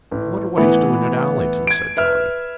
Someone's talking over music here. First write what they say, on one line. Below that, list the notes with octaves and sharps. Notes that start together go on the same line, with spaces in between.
"I wonder what he's doing at Allington?" said Johnny.
A1
A2 E3 B3
G#6 D7
B4 E5 F6